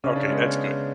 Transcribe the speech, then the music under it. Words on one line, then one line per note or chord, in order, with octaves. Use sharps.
Okay. That's good.
C#3 C#4
D4
G#3 B3 C#4